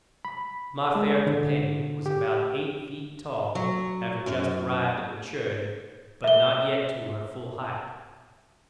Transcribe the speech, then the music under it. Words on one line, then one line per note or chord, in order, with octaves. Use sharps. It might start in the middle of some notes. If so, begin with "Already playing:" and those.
My fair companion was about eight feet tall, having just arrived at maturity, but not yet to her full height.
B5
G#3
D3
G4
F#3
F#2
E5 G7